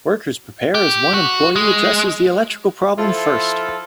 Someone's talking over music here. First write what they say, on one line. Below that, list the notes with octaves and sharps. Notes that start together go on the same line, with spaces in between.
Workers prepare as one employee addresses the electrical problem first.
G4
F#4
G#3
F3 E4 F4 A4